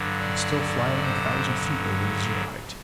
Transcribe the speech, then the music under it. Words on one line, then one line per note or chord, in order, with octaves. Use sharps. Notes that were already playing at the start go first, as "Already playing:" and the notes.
I was still flying a thousand feet over the zero-height.
Already playing: G2 D3 F#3
D5
D5
C5